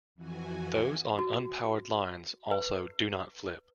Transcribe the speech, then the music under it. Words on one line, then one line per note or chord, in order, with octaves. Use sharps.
Those on unpowered lines also do not flip.
F2 E3 F#4 G#5
F#4
B4